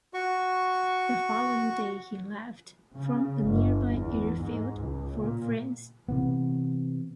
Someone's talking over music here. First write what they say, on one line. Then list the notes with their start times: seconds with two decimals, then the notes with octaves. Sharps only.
The following day he left from a nearby airfield for France.
0.14 F#4 C#6
2.96 C#3
3.46 G1
3.86 E2
4.37 G#2
4.80 C#2
5.18 A#2
6.09 C3 E3 B3